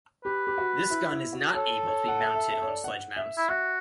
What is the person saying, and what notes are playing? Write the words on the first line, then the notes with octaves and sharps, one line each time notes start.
This gun is not able to be mounted on sledge mounts.
G4 B4
G4
F#4
E4
E4
F#4
A4 C#5
C#5
F#5
E5
E5
E5
C#5
D5
F#5
E5
E4
F#4 E5